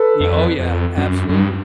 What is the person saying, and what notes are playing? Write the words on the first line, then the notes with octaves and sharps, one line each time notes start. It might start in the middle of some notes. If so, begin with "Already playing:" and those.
Y oh, yeah, absolutely,
Already playing: A4 B4
F2
F2
F#2
F#2
G2